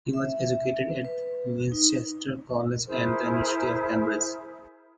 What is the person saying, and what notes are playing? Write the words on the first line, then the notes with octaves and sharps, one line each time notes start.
He was educated at Winchester College and the University of Cambridge.
E5
B4
D#4
E4 G#4 A#4 C5